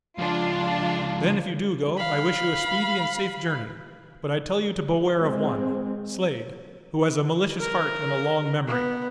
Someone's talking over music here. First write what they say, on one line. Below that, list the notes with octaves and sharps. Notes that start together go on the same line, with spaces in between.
"Then if you do go I wish you a speedy and safe journey, but I tell you to beware of one, Slade, who has a malicious heart and a long memory."
C#2 F3 D4 F4
F5 B5
G#3 C4
A#4
B3